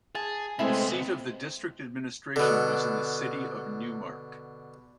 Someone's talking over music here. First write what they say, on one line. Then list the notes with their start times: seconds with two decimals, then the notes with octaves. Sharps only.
The seat of the district administration was in the city of Neumark.
0.15 G#4 A5
0.59 C3 G#3 A3 B3 C4 E4 G#4
2.36 B2 D3